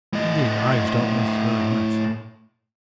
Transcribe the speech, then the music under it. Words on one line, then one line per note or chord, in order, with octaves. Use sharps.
Indian eyes don't miss very much.
A2 D#5